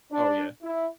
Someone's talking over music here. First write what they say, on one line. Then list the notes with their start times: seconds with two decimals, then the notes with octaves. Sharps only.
Oh, yeah.
0.12 D4
0.63 E4